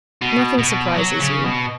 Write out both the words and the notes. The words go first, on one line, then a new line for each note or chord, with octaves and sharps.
Nothing surprises you.
B2
B2
F#3
C#3
B2